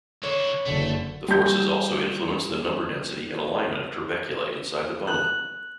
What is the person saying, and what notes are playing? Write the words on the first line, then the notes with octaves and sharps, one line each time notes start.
The forces also influence the number density and alignment of trabeculae inside the bone.
D3 E4 C#5
F#1 D3 A3
G3 G6
F#6